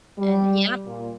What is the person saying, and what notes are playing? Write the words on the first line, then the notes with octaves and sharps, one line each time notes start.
And Yep.
G3
A#2